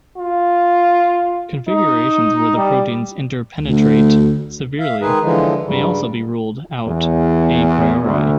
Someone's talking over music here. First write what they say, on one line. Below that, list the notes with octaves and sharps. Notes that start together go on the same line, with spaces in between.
Configurations where the proteins interpenetrate severely may also be ruled out "a priori".
F4
D#4
G3
D2
E5 F5
D#3 G#3 D#4 G#4 B4
D3 E3 F3 G#3
G2 C#3 F#3 G3
E2
D2